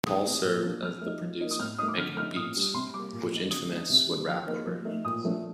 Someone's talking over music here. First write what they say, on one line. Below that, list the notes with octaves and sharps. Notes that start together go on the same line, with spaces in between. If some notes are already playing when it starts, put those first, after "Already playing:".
Paul served as the producer, making beats, which Infamous would rap over.
D#3 D#6
A3 C4 D#4
A#2
F3 A#3 D4
F3 F6
A3 D#4
F3
A#3 D#4
D#6
A2 F6
A3 D#4 D#6
D6
D3 F6
A3 D#4 F6
A#2 D#6
G3 D4
C3 C6
G3 A#3 D6
A#2
A3 D#4
D3 D#6
A3 D#4
C3
G3 D4
F3 F6
A#3 D#4
F3
A3 D#4
A#2 D#6
F3 A3 D4